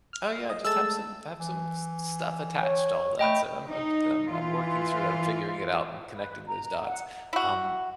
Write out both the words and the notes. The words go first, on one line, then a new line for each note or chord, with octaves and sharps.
oh, yeah, I just have some have some stuff attached to all that, so I'm, I'm I'm I'm working through it I'm figuring it out, I'm connecting those dots. Um,
F6
D#5
G#3 A3 A5 E6
E3
C#5
A3 D#5 G5 B5
D#4
E3 F4
B4
A#5
F#5
E4 F#4